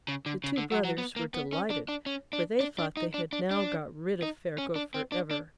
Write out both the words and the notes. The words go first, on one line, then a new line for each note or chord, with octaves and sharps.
The two brothers were delighted, for they thought they had now got rid of Ferko for ever.
C#3
D3
C#3
D3
F#3
F#3
B3
A#3
B3
C#4
D4
D4
C#4
D4
D4
D4
D#4
D4
D4
D4
D#4
C#4
D4
C4
D4
D4